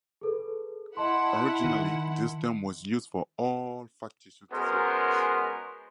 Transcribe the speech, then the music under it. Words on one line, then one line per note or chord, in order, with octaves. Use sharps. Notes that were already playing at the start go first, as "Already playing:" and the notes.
Originally, this term was used for all factitious disorders.
G#4 A4 B4
E4 D#5 F#5 A5 C6
D#3
G#3 B3 C#4 F#4 A#4 C5